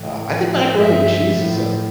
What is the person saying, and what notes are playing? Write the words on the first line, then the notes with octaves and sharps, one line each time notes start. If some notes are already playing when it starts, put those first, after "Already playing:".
Uh, I think macaroni and cheese is a
Already playing: A2 E3
A2 F3
G2 F3 E5
A2 F3